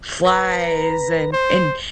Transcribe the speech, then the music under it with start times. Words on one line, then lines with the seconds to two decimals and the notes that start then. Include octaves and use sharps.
flies and and
0.25 B4 A#5
1.33 C5